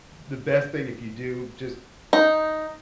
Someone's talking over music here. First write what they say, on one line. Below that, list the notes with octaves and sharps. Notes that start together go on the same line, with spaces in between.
the best thing if you do just
D#4